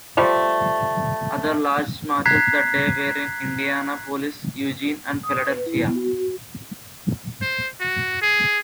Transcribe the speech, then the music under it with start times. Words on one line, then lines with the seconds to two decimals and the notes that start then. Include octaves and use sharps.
Other large marches that day were in Indianapolis, Eugene, and Philadelphia.
0.17 F3 G3 A3
2.26 A#5 F#6 G#6 B6 C7
5.23 D#6
5.47 B4
5.66 E4
5.82 B3
5.95 F#4
7.42 C5
7.81 F#4
8.22 G#4